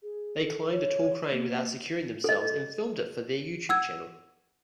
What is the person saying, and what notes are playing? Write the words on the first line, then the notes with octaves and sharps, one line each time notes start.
They climbed a tall crane without securing themselves and filmed it for their YouTube channel.
G#4
A4
C#5
A#3
A4 D#5
F#5 E6 G#6